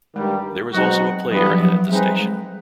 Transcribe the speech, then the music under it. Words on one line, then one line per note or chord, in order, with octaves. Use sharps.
There is also a play area at the station.
G2 D#3 G3 G#3
B2 F#3 G#3 C4 D#4 F#4
G2 E3 F#3 G3 B3
F3
F#3
G3 G#3 C4 D#4 G#4 B4
G#3